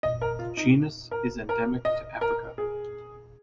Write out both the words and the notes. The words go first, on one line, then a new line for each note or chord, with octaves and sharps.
The genus is endemic to Africa.
D#5
A#4
F4
D#4
A#4
A#4
D#5
A#4
G#4